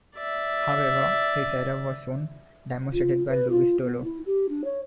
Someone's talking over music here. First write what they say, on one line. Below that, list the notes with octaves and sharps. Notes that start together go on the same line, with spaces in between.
However, his error was soon demonstrated by Louis Dollo.
D5 E5
F4
B4
F4
B3
E4
G4
D4
C#5